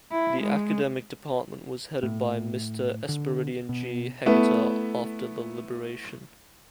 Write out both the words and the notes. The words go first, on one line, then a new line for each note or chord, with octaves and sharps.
The academic department was headed by Mr. Esperidion G. Heceta after the liberation.
E4
G#3
A2
D3
B2
A3 B3 E4